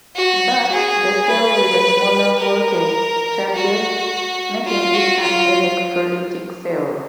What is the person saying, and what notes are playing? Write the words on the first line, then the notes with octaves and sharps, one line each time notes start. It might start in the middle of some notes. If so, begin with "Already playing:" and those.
But, the cell with the smaller voltage charges, making it an electrolytic cell.
F#4
G#4
B4
A#4
F#4
F4
F#4
F4